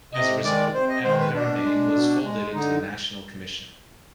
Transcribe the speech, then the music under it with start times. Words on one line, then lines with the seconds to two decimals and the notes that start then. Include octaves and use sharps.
As a result, Al-Haramain was folded into the National Commission.
0.13 C3 D#5
0.44 D#3 G#3 D5
0.74 C3 C5
0.89 D#5
1.04 D#3 G#3 C5
1.19 B4
1.34 B2 D4
1.64 G#3
1.94 B2
2.25 G#3
2.54 D3 D#4